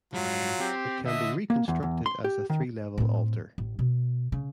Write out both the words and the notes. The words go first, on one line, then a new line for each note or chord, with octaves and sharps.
It can be reconstructed as a three-level altar.
G#2 F#3 G3 F4
C4 G4
D3 D#5 E5
A#3
E2
E2
C6
G4
D#3
A2 C4
A1
B2
C#3